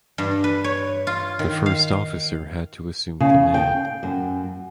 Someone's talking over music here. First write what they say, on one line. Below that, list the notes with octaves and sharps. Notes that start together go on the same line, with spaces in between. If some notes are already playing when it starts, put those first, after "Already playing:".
The first officer had to assume command.
G2
B4
C#5
F4
D#3
F5
C#3
G5
F#2